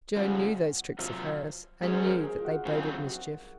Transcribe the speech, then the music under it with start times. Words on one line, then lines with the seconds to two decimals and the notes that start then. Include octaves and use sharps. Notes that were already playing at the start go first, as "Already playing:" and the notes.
Joan knew those tricks of hers and knew that they boded mischief.
0.16 C#3 F3 G#3 F#4
0.99 C3 F#3 C4 F4
1.82 G#2 F#3 C#4 G#4
1.93 C5
2.03 A#4
2.24 G#4
2.39 F4
2.45 F#4
2.65 C#3 F#3 C4 F4
3.07 F#4